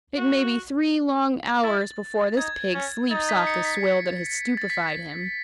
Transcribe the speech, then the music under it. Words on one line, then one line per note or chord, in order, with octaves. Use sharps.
It maybe three long hours before this pig sleeps off the swill that has stupefied him.
F#4
E4 A6
D#4 G#6
C#4
D#4 A6
B6
C#7
B6
B6
A6
B6
A6